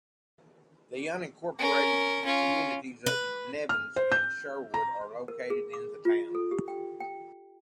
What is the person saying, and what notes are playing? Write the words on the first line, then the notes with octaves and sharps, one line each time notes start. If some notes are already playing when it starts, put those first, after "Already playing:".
The unincorporated communities of Nevins and Sherwood are located in the town.
C#4 A#4
C#4 F4
B4
F6
C5
G6
A#5
A#4
G#4
D6
F4
A4
G4
G5
G5